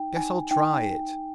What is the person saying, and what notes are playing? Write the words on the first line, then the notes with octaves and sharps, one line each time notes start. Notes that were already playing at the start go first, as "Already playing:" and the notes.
"Guess I'll try it."
Already playing: D#4 G5
D#4 G#5
D#4 G5